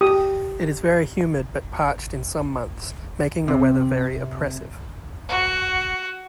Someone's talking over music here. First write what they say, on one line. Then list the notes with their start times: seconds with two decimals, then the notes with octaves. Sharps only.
It is very humid but parched in some months, making the weather very oppressive.
0.01 G4 D#6
3.48 C3
5.29 F#4